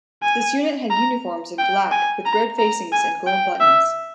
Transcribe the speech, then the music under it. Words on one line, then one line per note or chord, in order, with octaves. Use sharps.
This unit had uniforms in black with red facings and gold buttons.
G#5
A#5
G5
G#5
A#5
A#5
G#5
G5
E5